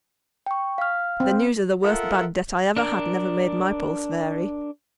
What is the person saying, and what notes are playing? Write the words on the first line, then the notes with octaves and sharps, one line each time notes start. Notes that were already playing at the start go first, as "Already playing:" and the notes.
The news of the worst bad debt I ever had, never made my pulse vary.
G5 C#6
F5 F6
C4
F4 A4 A#4 E5 F#5
D4 A#4